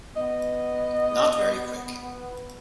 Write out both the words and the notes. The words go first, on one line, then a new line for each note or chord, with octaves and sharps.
Not very quick.
B3 D#5